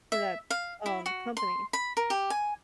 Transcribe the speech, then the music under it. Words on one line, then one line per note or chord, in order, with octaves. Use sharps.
for that, um, company.
E5
F5
E4
F#4
C6
B5
A#4
G4
G#5